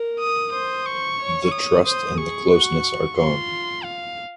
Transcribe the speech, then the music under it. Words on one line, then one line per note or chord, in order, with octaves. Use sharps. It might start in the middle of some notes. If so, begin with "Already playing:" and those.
The trust and the closeness are gone.
Already playing: A#4
D#6
C5 D#6
C#6
C#5
D#6
C5 D#6
G#4 C#6
F#4
F4 C6
F5